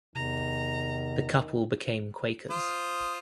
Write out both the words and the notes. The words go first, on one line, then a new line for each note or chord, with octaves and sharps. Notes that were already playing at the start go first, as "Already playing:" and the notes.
The couple became Quakers.
E2 C3 D#3 A#5
F4 C5 D#6